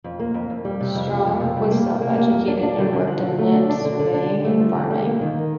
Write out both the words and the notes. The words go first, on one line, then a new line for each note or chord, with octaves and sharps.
Strong was self-educated and worked in land surveying and farming.
F2
A#3
F2
F2
G3
C3
F2
F2
F2
C3
G3
A#3
C3
A#3
A#3
F2
D4
D4
D3
D3
F3
D3
A3
D4
D4
D3
D3
D4
D3
A3
F3
D3
G3
A#3
D#3